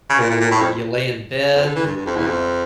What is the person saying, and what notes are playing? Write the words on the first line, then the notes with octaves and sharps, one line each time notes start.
or you lay in bed, uh,
C#3
A#2
A#2
A#2
A2
F2
F2
D3
E3
G2
G2
F2
E2
F2